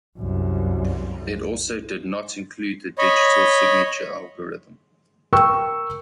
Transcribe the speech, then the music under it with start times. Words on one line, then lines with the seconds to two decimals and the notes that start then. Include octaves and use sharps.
It also did not include the Digital Signature Algorithm.
0.18 C2 F#2
2.98 C#5 D#5 B5
5.33 A#4 G5 C#6 E6